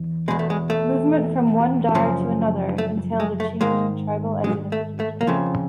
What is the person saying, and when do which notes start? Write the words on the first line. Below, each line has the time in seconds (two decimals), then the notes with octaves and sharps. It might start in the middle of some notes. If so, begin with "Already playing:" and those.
Movement from one dar to another entailed a change in tribal identification.
Already playing: E2
0.28 E2 B2 G#3
0.39 A3
0.50 G#3
0.70 A3
1.95 F#2 C#3 F3
2.78 A3
3.20 G#3
3.40 A3
3.61 G#2 D#3 G#3 A#3
4.44 G#3
4.72 A3
5.00 A3
5.21 A#3
5.27 F2 C#3 F3 A3